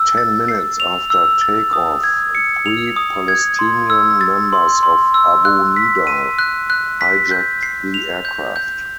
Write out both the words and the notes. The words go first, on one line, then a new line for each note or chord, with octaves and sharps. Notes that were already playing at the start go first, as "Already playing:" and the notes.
Ten minutes after takeoff, three Palestinian members of Abu Nidal hijacked the aircraft.
Already playing: E6
A6
C7
F7
E6
A6
D#6
G#6
C#7
F7
D#6
G#6
C6
E6
A6
C6
C6
E6
F#6
B6
D#7
F#6
F#6
B6
G6
C7
F7
G6
G6